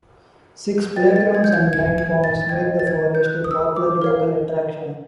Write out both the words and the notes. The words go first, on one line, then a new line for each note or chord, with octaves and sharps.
Six playgrounds and nine ponds make the forest a popular local attraction.
B4 D#5 G5 A6
G#6
A6
G#6
G6
G#6
G#6
G#6
A6
A6
C5 D#5 G5 G#6
A6
G#6
G6
F#6
D#6
E6
D6
A#4 C#5 F5